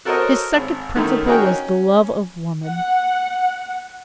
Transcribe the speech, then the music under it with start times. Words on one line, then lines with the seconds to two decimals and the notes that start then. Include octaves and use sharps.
His second principle was the love of woman.
0.05 F#4 A4 A#4 C5 C#5 D#5
0.55 G#1
0.96 F#2 D#3 A3
1.27 D#4 F#4 G#4 A#4 C#5 G5
1.45 C#4
2.68 F#5